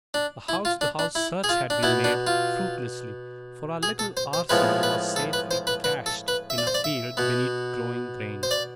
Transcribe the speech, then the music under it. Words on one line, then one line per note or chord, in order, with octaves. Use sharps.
A house-to-house search had been made--fruitlessly, for our little arsenal was safely cached in a field, beneath growing grain.
D4
E4
F4
D4
D4
E4
G#4
F4
D4
B2 B3 E4
D4
F4
G#4
A4
C5
C5
A2 F3 G#3 B3 B4
B4
A4
B4
C5
B4
B4
A4
B4
E5
D5
C5
D5
E5
B2 B3
C5
D5